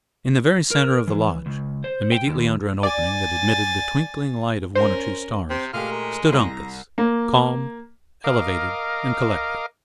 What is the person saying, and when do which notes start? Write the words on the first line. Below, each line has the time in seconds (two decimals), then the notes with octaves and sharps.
In the very center of the lodge, immediately under an opening that admitted the twinkling light of one or two stars, stood Uncas, calm, elevated, and collected.
0.71 A#4
1.07 E3
1.46 C#2
1.84 C5
2.12 G5
2.27 D#2
2.83 D5 G#5 A6
4.75 C#4 A#4 C5
5.50 C3 C4 C5 G5
5.73 A#2 G#3 A3 G4 F5 F6
5.91 A#4
6.33 C2 A#5
6.98 A#3
8.24 A#4 D#5 F5 D6